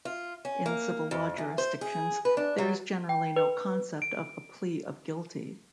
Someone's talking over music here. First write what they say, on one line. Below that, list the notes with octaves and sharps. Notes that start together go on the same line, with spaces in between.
In civil law jurisdictions, there is generally no concept of a plea of guilty.
F4
C#4
A#3
F2
E2
C5
G#4
B4
D4
F#3
G5
B4
D7